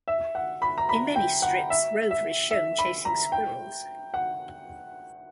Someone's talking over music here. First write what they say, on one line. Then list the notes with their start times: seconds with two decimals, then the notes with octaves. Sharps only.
In many strips Rover is shown chasing squirrels.
0.08 E5
0.35 F#5
0.62 B5
0.78 A#5
0.89 B5
1.16 G5
1.42 F#5
1.70 E5
2.11 E5
2.51 E5
2.79 B5
3.05 A#5
3.32 G5
4.14 F#5